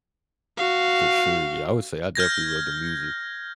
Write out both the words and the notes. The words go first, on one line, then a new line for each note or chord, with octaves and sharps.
For sure. Yeah. I would say, I definitely love the music.
F#4 F5
F6 G6 G#6 A#6